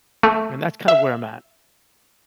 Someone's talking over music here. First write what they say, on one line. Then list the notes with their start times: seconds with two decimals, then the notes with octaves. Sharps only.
and that's kind of where I'm at.
0.23 A3
0.88 E5